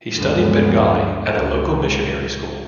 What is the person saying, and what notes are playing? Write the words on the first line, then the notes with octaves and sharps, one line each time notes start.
He studied Bengali at a local missionary school.
D2 G2 D3 F3 G#3 B3
C#2 A#2